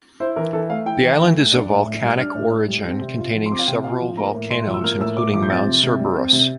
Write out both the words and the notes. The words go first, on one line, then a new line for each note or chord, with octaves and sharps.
The island is of volcanic origin, containing several volcanoes including Mount Cerberus.
E4 C5
E3 A#4
E3 A4
A3 F5
E4 G5
E3
E3
A3
D4
A2
A2
G3
D4 F6
A2
A2
G3
C4
C3
F4
F3
C6
C4 D6
F5
C3 G5
F4 F5
F3
A#3 A#5
A2
A2 C6
F3
E6
A#3 F6
A2 E6
A2 D6
F3 D6
G6
C4 A6
C3
C3
G3
C4
C3